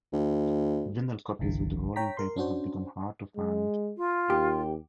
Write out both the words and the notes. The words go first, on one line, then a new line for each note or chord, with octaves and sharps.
Vinyl copies with the rolling paper have become hard to find.
D2
G1 C2 D3 E3
C#5 G5 A#5 B6
A#4 C6
C#4 D4 F#4 C5
G#3
F4
D#2 G4